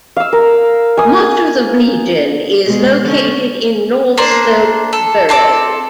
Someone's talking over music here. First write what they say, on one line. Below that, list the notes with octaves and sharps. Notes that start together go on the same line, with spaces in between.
Much of the region is located in North Slope Borough.
F5 E6
A#4
G#5 D#6
B2 G#3
D3 C#4
A#3 D4 C5
A4
C4 A4 D6